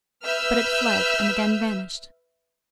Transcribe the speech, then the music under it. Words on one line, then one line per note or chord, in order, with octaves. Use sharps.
But it fled, and again vanished.
B4 E5 E6 F6 G6